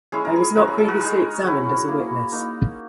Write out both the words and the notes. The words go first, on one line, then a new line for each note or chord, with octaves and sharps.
I was not previously examined as a witness.
G#3 C#4 E4 G#4
A#4
G#4
F#3 C#4 E4 F#4 A#4
G#4
G#4
F#4 A#4
G#3 D#4 G#4
F#3 C#4 E4 F#4
A#3 E4
A#3 D#4